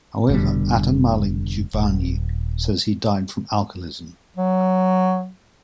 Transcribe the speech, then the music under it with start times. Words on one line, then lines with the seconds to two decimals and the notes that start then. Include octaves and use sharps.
However, Ata-Malik Juvayni says he died from alcoholism.
0.29 F1 B2 D3 G3
1.74 D#1
4.37 F#3